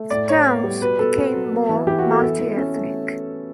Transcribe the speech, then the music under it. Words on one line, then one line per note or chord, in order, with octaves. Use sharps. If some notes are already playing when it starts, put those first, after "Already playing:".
The towns became more multiethnic.
Already playing: A3
A2 D5
A2 C#5
B3
G3
B2 B4
B2 A4
B3
F#3
B3
E3
E3 G4
F#4
B3
A4
E3
E3
C#4
A3